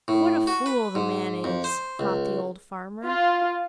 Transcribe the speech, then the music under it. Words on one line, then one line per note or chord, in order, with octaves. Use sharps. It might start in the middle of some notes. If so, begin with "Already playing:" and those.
"What a fool the man is!" thought the old farmer.
A2
F#4
B4
G#2
F2
C5
C#2
F4